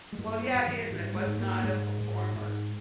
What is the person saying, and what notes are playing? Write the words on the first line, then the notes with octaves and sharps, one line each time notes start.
Well, yeah, it is, I was not a performer.
G#3
G2 A#3
B3
G2
E3
G#2 G3
G#3
G#2
A#3
G#2 G#3
G#2
G#2